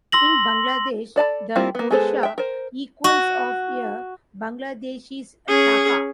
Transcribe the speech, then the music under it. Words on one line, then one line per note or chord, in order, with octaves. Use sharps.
In Bangladesh, the "poisha" equals of a Bangladeshi taka.
C6 E6 A#6 F#7
A4 D5 A5 B5
G3 A#3 C4 E4 F4
A#3 B3
G#3 B3 G#4 A4 C5
E5 G5
A#4 C5
F#4
C#4 G#4